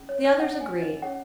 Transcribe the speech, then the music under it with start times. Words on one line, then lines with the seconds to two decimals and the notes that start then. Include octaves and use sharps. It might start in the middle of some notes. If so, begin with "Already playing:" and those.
The others agreed.
Already playing: C#4 G#4
0.09 C#5
0.25 C#5
0.40 C#4 G#4 C#5 F#5
0.61 G#5
0.82 D#5
1.02 C#4 G#4 C#5 F#5